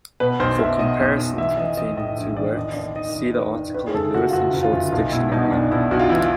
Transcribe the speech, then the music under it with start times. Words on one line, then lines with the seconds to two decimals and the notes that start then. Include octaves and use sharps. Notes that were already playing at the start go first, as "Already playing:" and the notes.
For comparisons between the two works, see the article on Lewis and Short's dictionary.
0.20 B2 B4
0.40 B1 C5
0.59 B1 E5
0.79 B2 D#5
0.99 B1
1.18 B1
1.38 E3 E5
1.57 E3 D#5
1.77 E3 D#5
1.97 A2 D#5
2.17 A#1
2.37 E3 D5
2.56 D#2 D#5
2.72 D5
2.76 D#2 D#5
2.96 D#3 D#5
3.15 D#3
3.34 D#3 B4
3.55 D#3
3.74 D#3 B4
3.87 G#4
3.94 F#1 A4
4.14 F#1 F#4
4.29 F4
4.33 F#1 F#4
4.53 F#1
4.63 F4
4.73 F#1
4.92 B1 F4
5.12 B2 E4
5.32 B2 D#4
5.51 B1 D4
5.71 B2 E4
5.91 B1 F#4
5.99 F4
6.09 E3 E4
6.18 F4